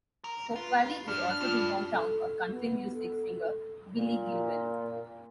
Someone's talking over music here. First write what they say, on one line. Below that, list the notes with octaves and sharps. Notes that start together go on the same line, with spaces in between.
Hope Valley is also the hometown of country music singer Billy Gilman.
A#4
F4 B4
G2 D4 F6
G2 F4
A4
B3
A4
A#2